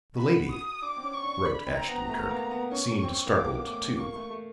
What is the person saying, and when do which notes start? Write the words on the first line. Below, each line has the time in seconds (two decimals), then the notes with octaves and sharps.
"The lady," wrote Ashton-Kirk, "seemed startled, too."
0.19 F#4 B5
0.51 D#6
0.82 D4 D6
0.97 C4
1.04 C#4
1.14 C#6
1.24 D4
1.45 D4 B5
1.67 C4
1.77 A#5
1.87 B3
2.09 A3
2.25 B3
2.30 A#3
2.51 B3
2.72 C#4 C#6
3.03 C4
3.26 A#3
3.35 B3 D6
3.51 A#3
3.67 A3 D6
3.83 A3
3.99 A#3 C#6
4.15 A3
4.30 A3